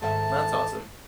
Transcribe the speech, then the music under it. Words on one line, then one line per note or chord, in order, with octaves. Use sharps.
That's awesome.
G#2 D#3 A3 E5 A5